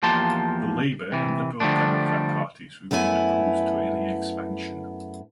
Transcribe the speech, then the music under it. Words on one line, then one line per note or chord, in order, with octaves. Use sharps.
The Labour and Liberal Democrat parties remain opposed to any expansion.
E2 F3 A#3 G4 A5 C6
C3 E3
D3 F3 G3 A3 D4
F#2 A3 B3 E4 A4 G#5